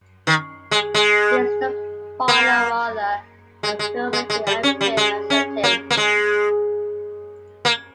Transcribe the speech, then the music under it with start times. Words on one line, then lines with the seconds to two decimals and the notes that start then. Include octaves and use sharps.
He is the father of author and filmmaker M. K. Asante.
0.27 D#3
0.71 G#3
0.94 G#3
2.28 A#3
3.63 G#3
3.79 G#3
4.13 G#3
4.30 G#3
4.47 G3
4.63 C#4
4.81 G3
4.97 G#3
5.30 C#4
5.64 A#3
5.90 A#3
5.97 G#3
7.65 A#3